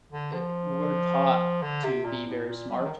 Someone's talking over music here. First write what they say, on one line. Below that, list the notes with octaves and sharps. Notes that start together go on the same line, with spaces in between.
uh, we're taught to be very smart.
D3
F3
D3
C3
A#2
A2
A#2
G3
F3
D#3